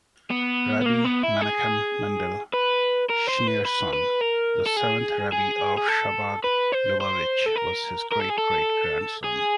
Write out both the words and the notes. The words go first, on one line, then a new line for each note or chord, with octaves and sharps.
Rabbi Menachem Mendel Schneerson, the seventh Rebbe of Chabad-Lubavitch, was his great-great-grandson.
B3
B3
A#3
B3
E4
G#4
B4
A#4
C5
B4
B4
B4
A#4
A4
G#4
G#4
G#4
A4
B4
C5
C5
A4
A#4
A#4
A4
G#4
A4
G#4